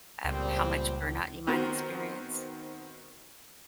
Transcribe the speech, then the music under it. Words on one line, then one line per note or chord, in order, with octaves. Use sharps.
uh, how much burnout you might experience?
C#2 A#2 G3 C4
D#3 B3 C4 F#4 A#4 C5